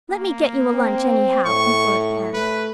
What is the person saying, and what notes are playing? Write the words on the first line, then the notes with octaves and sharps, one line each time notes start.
"Let me get you a lunch anyhow," implored Anne.
A#3
C4
A2 C#6
A3 B4